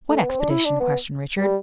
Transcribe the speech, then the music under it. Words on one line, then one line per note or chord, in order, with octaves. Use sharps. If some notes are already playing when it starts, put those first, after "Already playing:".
"What expedition?" questioned Richard.
A3
B3
C4
D4
E4
D4
B3
G3